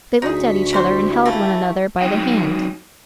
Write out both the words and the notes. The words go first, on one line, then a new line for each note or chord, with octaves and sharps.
They looked at each other and held one another by the hand.
D2 D#4 G#4 C#6 B6
C3 E4 G4 C5 C#6
E3 A3 A#3
F#2 D#3 F#3 G#3 D#4 G5